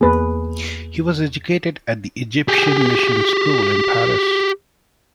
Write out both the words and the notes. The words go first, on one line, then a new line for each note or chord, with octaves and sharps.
He was educated at the Egyptian Mission School in Paris.
E2 A#3 B3 G#4 B4
G4 G#4